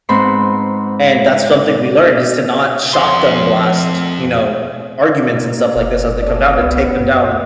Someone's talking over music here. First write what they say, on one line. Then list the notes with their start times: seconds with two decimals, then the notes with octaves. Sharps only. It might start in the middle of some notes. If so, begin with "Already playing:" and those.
And that's something we learned is to not shotgun blast, you know, arguments and stuff like this as they come down to take them down
0.09 G#2 B3 C4 B5 C6
2.93 F2 C6
5.34 B2 A#3
5.76 F#1
6.22 C#4 A4 D5
6.59 C2 B3
7.00 F#2